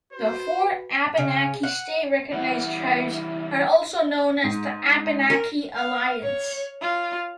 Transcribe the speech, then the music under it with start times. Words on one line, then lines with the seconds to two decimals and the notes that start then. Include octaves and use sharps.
The four Abenaki state-recognized tribes are also known as the Abenaki Alliance.
0.12 F#4 B4 C5
1.17 C#3
1.63 F#5
2.32 E3 G3 E4 F#5
4.43 G#2
5.30 A#4
5.74 F5
6.23 C#5
6.82 F4